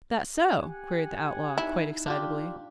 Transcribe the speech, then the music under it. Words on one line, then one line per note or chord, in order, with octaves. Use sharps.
"That so?" queried the outlaw, quite excitably.
G4 F#5 G#5
D#4 E4
D4 F4 G4